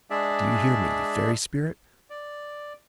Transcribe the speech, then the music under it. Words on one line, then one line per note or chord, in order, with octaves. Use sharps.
Do you hear me, you fairy spirit?
G#3 D4 G#4 D5 E5
D5